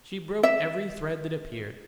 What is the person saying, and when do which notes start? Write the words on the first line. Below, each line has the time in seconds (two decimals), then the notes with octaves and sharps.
She broke every thread that appeared.
0.43 E5